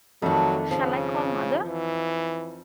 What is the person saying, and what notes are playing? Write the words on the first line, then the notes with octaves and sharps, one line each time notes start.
Shall I call mother?
F2 D#3 F#3 A3 D4
C#3 F3
E3